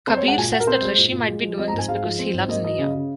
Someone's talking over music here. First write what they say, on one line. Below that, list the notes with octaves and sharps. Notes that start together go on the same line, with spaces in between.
Kabir says that Rishi might be doing this because he loves Niya.
C4 C5
C#5
G#3
F#5
A#2 G#5
A#2 F#5
A#4
C4 C5
G#3
A#2
A#2
G#3
F3
C4 D#5
A#5
G#2
G#5
G#3 F5
F3
C4
G#2
A#3 D#5
F#3 D#5
C#3
C#3